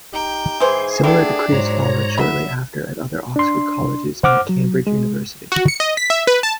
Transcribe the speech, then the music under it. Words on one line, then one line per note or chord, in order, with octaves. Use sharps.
Similar decrees followed shortly after at other Oxford Colleges and at Cambridge University.
D#4 G4 G5 A#5
G#2 E3 G#4 C5
A3 B3 D4 E4 G4
G#2 F#3 C5 C#5 A#5
F#3 E5 B5
D4 C6
C5 F#5 D6 F6
F#3
G#3
F#4
C#7
D#5
B6
E5
B4
A5